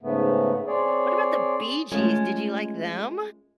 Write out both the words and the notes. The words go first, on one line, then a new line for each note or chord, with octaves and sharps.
What about the Bee Gees? Did you like them?
G#2 C#3 A3 B3
C4 G#4 C#5 D5
G#3 A3 C#4 F4 G#4